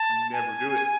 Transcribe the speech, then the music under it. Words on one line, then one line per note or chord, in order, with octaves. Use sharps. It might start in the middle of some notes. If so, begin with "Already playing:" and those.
never do it.
Already playing: A5
G#5